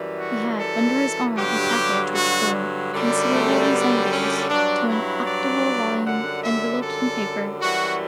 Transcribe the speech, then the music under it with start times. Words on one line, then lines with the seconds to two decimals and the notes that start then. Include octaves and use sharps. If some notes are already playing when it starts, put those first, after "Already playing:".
He had under his arm, a package which bore considerable resemblance to an octavo volume enveloped in paper.
Already playing: F#2 E3 G3
0.19 F#4
0.58 A4
1.36 G2 D3 F#3 G4
2.15 F#4
2.92 F#2 D3 G3
3.32 A3
3.70 B3
4.09 C#4
4.49 G2 F#3 D4
4.87 E4
5.26 D5
6.04 F#2 D3 G3 F#5
6.43 E5
6.82 A4
7.60 F#2 E3 G3 F#4